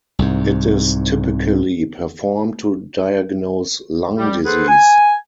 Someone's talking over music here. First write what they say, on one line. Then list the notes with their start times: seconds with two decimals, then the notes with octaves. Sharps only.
It is typically performed to diagnose lung disease.
0.19 C2 G#2
4.16 G3
4.45 G#4 A4 B4 C5 F#5
4.67 G#5